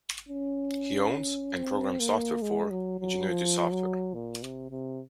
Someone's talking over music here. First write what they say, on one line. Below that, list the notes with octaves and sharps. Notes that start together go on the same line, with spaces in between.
He owns, and programs software for, Ingenuity Software.
C#4
C4
A#3
G#3
F#3
F#3
F3
F#3
A#2
C3
C3